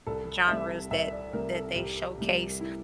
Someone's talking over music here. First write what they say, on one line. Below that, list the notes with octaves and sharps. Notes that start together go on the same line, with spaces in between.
genres that that they showcase,
C2 A4
C3 G3 E5
C2 E5
D5
C3 G3 A#4
A4
C2 G4
C3 G3
E4